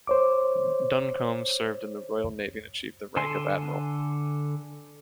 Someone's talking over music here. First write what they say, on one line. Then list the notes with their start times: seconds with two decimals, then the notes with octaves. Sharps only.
Duncombe served in the Royal Navy and achieved the rank of Admiral.
0.07 C5 C#5 D6
3.17 D3 A4 G#5 C6